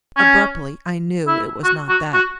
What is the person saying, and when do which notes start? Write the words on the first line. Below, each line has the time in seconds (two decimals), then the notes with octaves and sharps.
Abruptly I knew it was not that.
0.17 C#4
1.27 E4
1.64 F#4
1.89 F#4
2.14 F#4